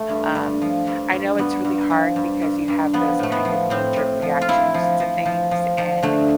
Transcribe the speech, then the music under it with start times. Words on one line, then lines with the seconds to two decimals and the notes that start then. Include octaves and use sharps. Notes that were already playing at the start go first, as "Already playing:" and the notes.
um, I know it's really hard because you have those kind of knee-jerk reactions to things, and,
Already playing: A3
0.09 G2
0.35 G2
0.62 F3
0.87 G2
1.13 G2
1.38 G2 B3
1.65 G2
1.90 F3
2.16 G2
2.42 G2
2.68 G2
2.93 F3 B3
3.19 A2 A3
3.32 B3
3.45 F3
3.70 A2 C4
3.96 A2
4.22 F3
4.41 F4
4.48 F3 E4
4.74 F3
5.00 F3
5.25 F3
5.51 F3
5.78 F3
6.03 D3 A3